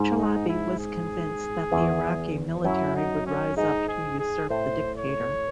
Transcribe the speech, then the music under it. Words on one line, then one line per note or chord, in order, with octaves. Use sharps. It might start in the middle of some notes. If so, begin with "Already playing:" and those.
Chalabi was convinced that the Iraqi military would rise up to usurp the dictator.
Already playing: G#2
D#4
E4
G#4
E2 E3
F#2 F#3 E4
D#4
C#4
G#2 G#3 D#4
G#4
G#4
A2 A3 C5
C#5